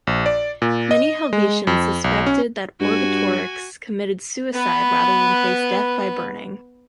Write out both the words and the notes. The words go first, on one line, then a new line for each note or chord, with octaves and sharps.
Many Helvetians suspected that Orgetorix committed suicide rather than face death by burning.
A#1
D5
A#2
D#5
G#3
F2
B1
C#4
G2 F#4 G#5
B3 B4